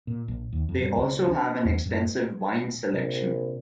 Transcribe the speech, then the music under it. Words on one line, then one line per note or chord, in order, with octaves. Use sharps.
They also have an extensive wine selection.
A#2
A#1
D#2
F2
G2
C#2
D4
E2
F#2
A#1 C3